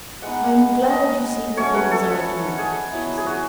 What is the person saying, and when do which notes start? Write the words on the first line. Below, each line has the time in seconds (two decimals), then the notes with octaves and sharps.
"I am glad you see the thing as I do," she said.
0.22 G#3 B3 D#4 F#5
0.90 D#5
1.57 F#3 A3 C#4 C#5
1.74 B4
1.91 A4
2.58 G#4
2.92 F#3 B3 E4
3.18 G#4
3.26 F#4